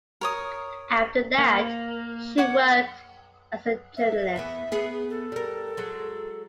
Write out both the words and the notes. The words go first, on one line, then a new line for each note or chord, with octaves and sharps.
After that she worked as a journalist.
A#4 C#5 D#6
A#3
C#5 F#5 D6
E5
E2 E3 B3
B3 G#4
A4
G3 A#4
F#3 G#3